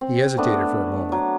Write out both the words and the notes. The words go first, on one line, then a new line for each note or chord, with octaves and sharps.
He hesitated for a moment.
C4
A3 B3 D4
F#3